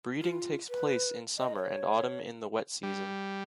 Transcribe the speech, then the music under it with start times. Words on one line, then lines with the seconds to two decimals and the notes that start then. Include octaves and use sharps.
Breeding takes place in summer and autumn in the wet season.
0.22 F4
0.69 B4
1.38 D#5
1.56 C#5
2.83 G3